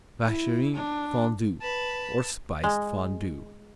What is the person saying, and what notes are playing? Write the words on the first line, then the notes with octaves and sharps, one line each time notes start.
Vacherin Fondu, or Spiced Fondu.
E4
D4
B4 A5
G#3